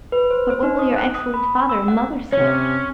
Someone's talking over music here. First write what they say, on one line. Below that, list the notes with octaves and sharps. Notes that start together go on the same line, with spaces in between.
But what will your excellent father and mother say?
B4
C5
C5
D#4
D#6
F#6
D#6
B5
E6
F#5
C3 C#4 C#5